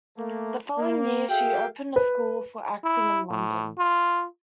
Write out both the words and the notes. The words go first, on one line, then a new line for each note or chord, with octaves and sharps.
The following year, she opened a school for acting in London.
A3 A#3
A#3
F#4 G#4 A4 E5 F5 G5
B4
E4
A2
F4